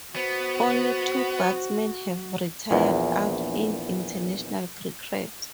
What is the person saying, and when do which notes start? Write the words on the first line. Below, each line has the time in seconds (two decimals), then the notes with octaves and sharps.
Only two batsmen have retired out in international cricket.
0.16 B3 F#4 C5
2.71 A#1 E2